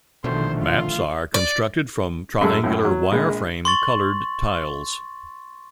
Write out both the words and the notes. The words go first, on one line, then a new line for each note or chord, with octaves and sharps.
Maps are constructed from triangular wireframe colored tiles.
A#1 B2 D3 D#3 F3 A3 C5
F4
D5
F#2 G#3 A4
F#2 A2
F#3
A#1 G#3
C6 C#6 A6 F#7